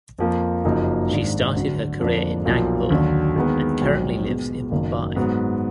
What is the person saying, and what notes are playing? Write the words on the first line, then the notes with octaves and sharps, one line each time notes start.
She started her career in Nagpur and currently lives in Mumbai.
F2 F3 A#3
F#1 F#2 F3 A#3 D#4
G#1 G#2 D#3 A#3 D4
D2 D3 F#3
F2 D3 F3 A#3 D4
B1 A#2 F3 A#3
D#2 D3 F#3
D#2 D#3 G#3 B3
A#1 G#2 F#3
B2 G#3 B3
F#1 F#2 D#3 A#3
G#2 F#3 B3